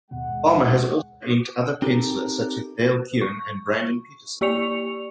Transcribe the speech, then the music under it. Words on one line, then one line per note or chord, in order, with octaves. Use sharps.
Farmer has also inked other pencillers, such as Dale Keown and Brandon Peterson.
D#2 G#2 B2 G#3 F#5
C4 D#4 G4 A4 A#4
C#6
A#3 G4 D5 C#6 C#7 F7